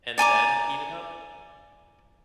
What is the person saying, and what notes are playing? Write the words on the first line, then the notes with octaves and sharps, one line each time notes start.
and then heat it up
D5 G#5 A#5 D6